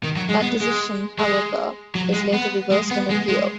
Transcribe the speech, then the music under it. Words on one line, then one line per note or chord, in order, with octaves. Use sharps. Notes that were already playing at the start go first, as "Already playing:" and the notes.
That decision, however, was later reversed on appeal.
D#3
F#3
G#3
B3
G#3
G#3
F#3
G#3
B3
G#3
B3
G#3
G#3